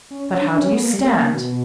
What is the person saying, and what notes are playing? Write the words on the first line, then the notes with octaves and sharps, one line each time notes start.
But how do you stand?
C#4
D4
C#4
B3
A#3
G3
A#3
A#3
B2